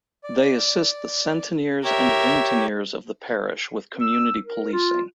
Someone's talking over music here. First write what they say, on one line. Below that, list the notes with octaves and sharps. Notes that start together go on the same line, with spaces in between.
They assist the Centeniers and vingteniers of the parish with community policing.
D5
G4 A#4 C#5 E5
E6
A#4
F4